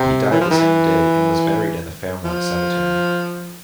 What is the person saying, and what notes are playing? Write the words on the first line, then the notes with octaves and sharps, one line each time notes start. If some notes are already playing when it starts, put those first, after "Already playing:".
He died the same day and was buried in the Fairmount Cemetery.
Already playing: C3
E3
F3
E3
F3